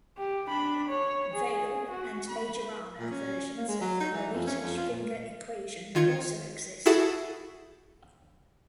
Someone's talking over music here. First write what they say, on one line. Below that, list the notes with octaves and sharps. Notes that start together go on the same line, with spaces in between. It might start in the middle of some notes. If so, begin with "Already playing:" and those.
"Weyl" and "Majorana" versions of the Rarita-Schwinger equation also exist.
G4
D4 B5
C#5
G#4
F#4
B5
A#2
C#4
A#3
G#3
F#3
D#4
E3
F2
C#4
F2
F4
A#2
D#3 F4 G#6 C#7
E4 F#4 G#4 A4 E5 F#5